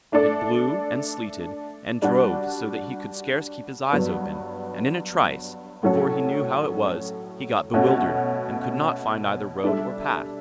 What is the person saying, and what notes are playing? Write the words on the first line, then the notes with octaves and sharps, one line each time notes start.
It blew, and sleeted, and drove so that he could scarce keep his eyes open; and in a trice, before he knew how it was, he got bewildered, and could not find either road or path.
A3 D4 A4 D5
G3 D4 F#4
G2 F#3 B3
A2 F#3 C#4 F#4 A4
B2 A3 C#4 F#4
G3 D4 A4 E5